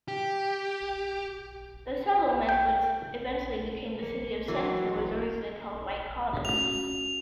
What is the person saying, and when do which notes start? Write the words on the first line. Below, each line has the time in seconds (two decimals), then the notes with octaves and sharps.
The settlement which eventually became the City of Center was originally called White Cottage.
0.08 G4
2.49 G5
3.99 A#3 C#7
4.48 E3 F#3
6.45 C#4 F4 F#4 F7